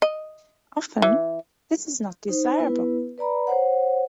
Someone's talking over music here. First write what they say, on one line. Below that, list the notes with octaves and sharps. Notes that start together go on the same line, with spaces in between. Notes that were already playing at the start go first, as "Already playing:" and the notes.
Often, this is not desirable.
D#5
E3
D#4 C5
B3 E4 B4
B4 D5 A#5 B5
C5 C#5 F#5